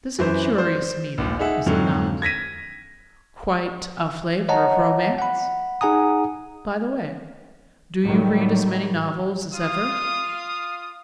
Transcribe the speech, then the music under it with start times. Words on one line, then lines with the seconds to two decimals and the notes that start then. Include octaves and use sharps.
"This is a curious meeting, is it not?--quite a flavor of romance! By-the-way, do you read as many novels as ever?"
0.19 F#2 E3 C5
0.55 C5 D5
1.18 A#1 D#2
1.39 D#4 G#4 E5 F#5
1.66 F2 G#2 D3 F#3
2.22 G#6 A#6 B6 D#7
4.49 C#5 D#5 F#5 A5 A#5
5.19 F#5 B5
5.81 D#4 G#4 F#5 G#5 A#5 D#6
8.04 A2 D#3 F#3 G3
9.53 F4 F5 D#6